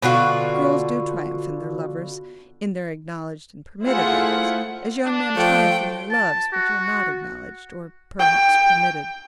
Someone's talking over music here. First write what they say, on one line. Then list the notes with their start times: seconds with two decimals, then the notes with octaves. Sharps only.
Girls do triumph in their lovers,--in their acknowledged and permitted lovers, as young men triumph in their loves which are not acknowledged or perhaps permitted.
0.02 B2 D3 F4 F#4
3.86 A3 E4 F4 G#4 C5 F#5
5.05 D4
5.37 F3 A3 G5
6.11 A5
6.53 F#4
8.19 G5